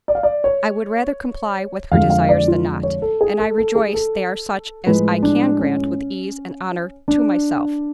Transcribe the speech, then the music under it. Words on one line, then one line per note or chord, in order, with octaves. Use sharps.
I would rather comply with her desires than not; and I rejoice they are such as I can grant with ease and honour to myself.
D5
F5
D5
C#5
F2 D3 F3 G#3 F5
F5
D5
F4
C#5
A4
G#4
A4
A4
G#4
A4
A2 F3 G#3 B4
D4
C#4
D4